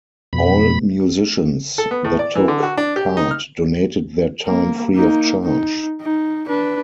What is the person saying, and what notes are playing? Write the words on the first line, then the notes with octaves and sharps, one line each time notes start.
All musicians that took part donated their time free of charge.
F2 B2 B5
A4
B3
A2
D5
E3
D3
F#4
D4
G4
D#4
F6
A#3
A#3 D#4
D#4
D#4
D4 B4